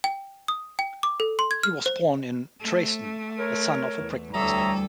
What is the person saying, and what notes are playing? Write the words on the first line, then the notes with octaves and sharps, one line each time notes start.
He was born in Dresden, the son of a brickmaster.
G5
D#6
G5
D6
A4
C6
G#6
F6
C5
A3
A#4 C#5 C6 C#6 F#6
E2
D2 G3 A4 C#5 E5 A#5 D6 D#6